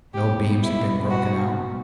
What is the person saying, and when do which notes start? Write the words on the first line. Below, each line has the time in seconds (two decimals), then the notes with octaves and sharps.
No beams have been broken out.
0.14 B2 G3 B3 G4
0.63 E4
1.10 F#4